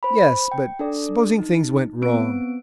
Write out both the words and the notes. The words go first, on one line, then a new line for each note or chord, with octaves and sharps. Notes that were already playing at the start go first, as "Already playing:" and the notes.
"Yes; but supposing things went wrong?"
C5 B5
G5
D4 A4 D5
D#4
B3 C4 D7